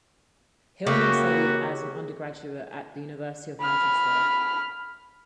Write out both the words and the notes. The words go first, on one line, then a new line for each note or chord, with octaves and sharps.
Hillman studied as an undergraduate at the University of Manchester.
C#3 A#3 E4 F#4 G4
B5 F6